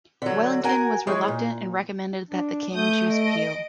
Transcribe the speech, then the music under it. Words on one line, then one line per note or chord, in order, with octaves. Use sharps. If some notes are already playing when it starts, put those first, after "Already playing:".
Wellington was reluctant and recommended that the King choose Peel.
D3 F#3
F#4 A#4 G#5
E3 G#3 G#4 C#5
A#2
D4
A3 D#6 G6
D#5 D7